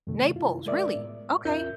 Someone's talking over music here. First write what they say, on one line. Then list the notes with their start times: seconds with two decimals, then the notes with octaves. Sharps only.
Naples, really? Okay.
0.07 F#2 C3 D#3 A3
0.36 E4 F4
0.66 G#3 A#4 D5 E5
0.95 A2 B3
1.45 E2 C#4 F4 A#4 E5 G6